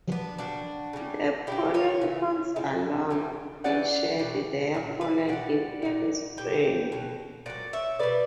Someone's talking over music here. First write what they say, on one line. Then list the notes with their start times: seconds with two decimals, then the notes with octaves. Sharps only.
The pollen cones are long, and shed their pollen in early spring.
0.12 B3 D4
0.39 A#2 G3 D4 F#4
0.93 C#3 E3 G3
1.47 C#3 G3 E4 G4
1.74 A#4 C#5
2.01 C#3 E3
2.56 C#3 G3
3.10 C#3 E3 G3
3.64 C#3 E3 G3 D5 F#5
4.19 B2 G3
4.74 A#2 F#3
5.01 B4 D5
5.28 B2 G3 D5 F#5
5.82 A#2 G3
6.37 B2 G3 G5
6.92 B2 F#3
7.46 A#2 F#3 D5 F#5
7.73 C#5 E5
7.99 B2 G3 B4 D5